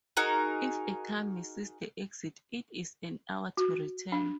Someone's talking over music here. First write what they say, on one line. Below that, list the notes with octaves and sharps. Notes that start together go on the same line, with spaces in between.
If a car misses the exit, it is an hour to return.
D#4 F#4 G#4 A#4
F#4
D4